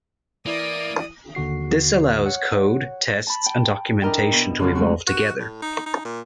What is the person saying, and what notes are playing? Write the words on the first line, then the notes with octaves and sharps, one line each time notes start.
This allows code, tests, and documentation to evolve together.
E3 A#3 E4 D5 D#6
D#2 D3 F#4 C7
C#5 F#5
A5 B5
G5
D4 E4 A#4 D#5 G5
B2
F#2 C#3 F#3 D4 F4 F#4
G#3 A3 C4 F#4
F#4
A2
D#4
D#4
A#2